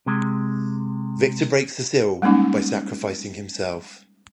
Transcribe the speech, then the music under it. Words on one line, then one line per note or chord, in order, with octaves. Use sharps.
Victor breaks the seal by sacrificing himself.
C3 G#3
G3 G#3 A#3 C#4 D#4